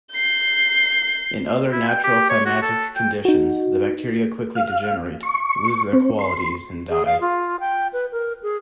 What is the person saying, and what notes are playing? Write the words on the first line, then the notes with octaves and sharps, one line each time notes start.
In other natural climatic conditions the bacteria quickly degenerate, lose their qualities and die.
G6 C7
E4
G5
G4
C#5
F#4
A4
G5
D#4 F#4
F5
C#6
C4
C6
G#4
F5
F4
G5
B4
A#4
G#4